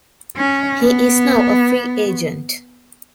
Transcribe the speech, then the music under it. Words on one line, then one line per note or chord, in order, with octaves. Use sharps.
He is now a Free Agent.
C#4
B3